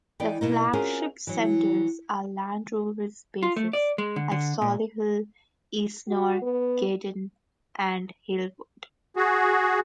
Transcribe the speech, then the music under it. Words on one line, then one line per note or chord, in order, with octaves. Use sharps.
The flagship centres are Land Rover's bases at Solihull, Eastnor, Gaydon and Halewood.
E3 D#4 B4 D5 G5
B2 A#3 D#4
C4 C#4 F4 F#4 G#4 A#4
E3 F#3
F4
A3
D5
G#3
D3
D3
A#2
F#4
B3
F#4 G#4